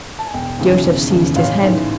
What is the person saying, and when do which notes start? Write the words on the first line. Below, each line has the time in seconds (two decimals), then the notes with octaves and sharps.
Joseph seized his hand.
0.19 A5
0.27 G#5
0.34 E1 G5
0.59 D#2 C#3 E3
0.86 E1
1.10 D#2 C#3 E3
1.36 A1 F5
1.62 G#2 E3